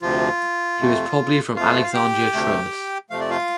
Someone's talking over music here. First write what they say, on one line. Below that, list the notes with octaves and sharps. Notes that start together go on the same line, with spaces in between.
He was probably from Alexandria Troas.
D2 C3 F3 F4
F2 C3 A3
F2 F3 A3 F4 F5
F5
G4 G5
D2 C3 A3
F2 C3 F3 A3 F5
D5
F4 F5